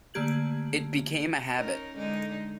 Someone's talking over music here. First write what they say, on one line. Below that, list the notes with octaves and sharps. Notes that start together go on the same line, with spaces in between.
It became a habit.
D3 A3 A#3 G4 G#6 F#7
C#4 D#4 A#4
D3 G#3 D#4